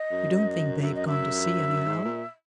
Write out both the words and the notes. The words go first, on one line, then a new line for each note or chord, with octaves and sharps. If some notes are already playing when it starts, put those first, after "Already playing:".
You don't think they've gone to sea, anyhow?'
Already playing: D#5
F#2
F#2 E5
D#5
E5
G#2
A#2